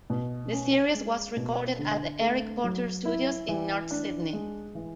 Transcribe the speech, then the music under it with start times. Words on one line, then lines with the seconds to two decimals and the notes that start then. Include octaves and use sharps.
The series was recorded at the Eric Porter studios in North Sydney.
0.10 B2
0.52 C#4
0.94 G#3
1.37 B2
1.79 D3
2.21 A3
2.64 F#3
3.05 E4
3.48 E3
3.91 D4
4.33 G#3
4.75 E3